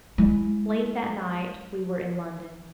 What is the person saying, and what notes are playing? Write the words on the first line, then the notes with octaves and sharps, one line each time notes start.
Late that night we were in London.
G#3 E4